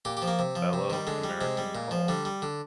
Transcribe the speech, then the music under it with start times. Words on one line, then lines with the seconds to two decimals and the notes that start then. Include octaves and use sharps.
Fellow, American Coll.
0.05 A#2 G4
0.17 G4
0.22 F3
0.28 A#3
0.39 C3
0.56 F3
0.73 C3
0.90 D#3 G3
1.07 D3 G#3
1.24 G3
1.41 C3 G#3
1.57 G3
1.75 A#2
1.91 F3
2.08 D3 G3
2.25 G3
2.42 D3